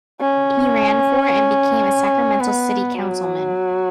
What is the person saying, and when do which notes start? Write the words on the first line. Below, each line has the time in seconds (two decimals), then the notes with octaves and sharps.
He ran for and became a Sacramento city councilman.
0.21 C#4
2.40 B3
2.95 F#3